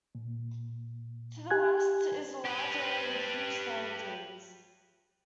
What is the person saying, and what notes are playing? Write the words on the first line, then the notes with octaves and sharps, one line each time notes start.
To the west is a large area with huge sand dunes.
A#2
G4 G#5 F#6 G#6
G4 B4